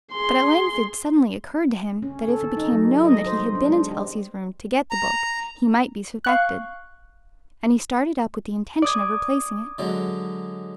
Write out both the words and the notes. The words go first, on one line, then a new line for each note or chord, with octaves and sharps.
But at length it suddenly occurred to him that if it became known that he had been into Elsie's room to get the book he might be suspected; and he started up with the intention of replacing it.
G#4 C6
C#4
A4
D#3
D#4
F#3
D#5
C5
B3
D4
G#3
G4
A#5
F5 C#6 F#6
D5 D6 D#6 G#6
D3 F#3 G#3